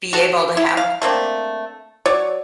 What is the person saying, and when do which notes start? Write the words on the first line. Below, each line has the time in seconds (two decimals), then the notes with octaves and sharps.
be able to have a go
0.13 F#4 A4
0.57 E4
0.77 F5
1.02 A3 A#3 C4 D4
2.06 F#3 C#5 D5